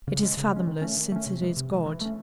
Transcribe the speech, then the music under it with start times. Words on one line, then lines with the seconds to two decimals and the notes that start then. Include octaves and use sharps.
It is fathomless, since it is God.
0.08 C#3
0.23 G#3 C#4
0.37 C#3
0.52 G#3 C#4
0.67 D#3
0.82 A3 C#4
0.97 D#3
1.12 A3 C#4
1.26 C3
1.41 E3 G#3
1.57 C3
1.71 E3 G#3
1.86 E3
2.01 A3 C#4